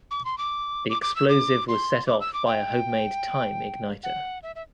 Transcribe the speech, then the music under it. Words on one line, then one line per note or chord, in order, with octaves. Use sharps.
The explosive was set off by a homemade time igniter.
D6
C6
D6
D6
D6
E6
D6
C6
D6
E6
D6
G5
F#5
E5
E5